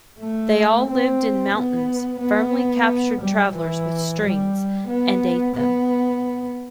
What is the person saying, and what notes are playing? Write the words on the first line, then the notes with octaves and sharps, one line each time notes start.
They all lived in mountains, firmly captured travelers with strings, and ate them.
A3
C4
B3
B3
G3
E3
G3
B3
B3